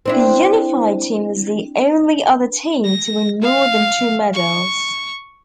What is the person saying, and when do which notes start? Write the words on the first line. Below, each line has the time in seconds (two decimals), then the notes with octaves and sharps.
The Unified Team was the only other team to win more than two medals.
0.06 C4 D4 E4
2.84 A#6
3.41 F5
4.33 C#6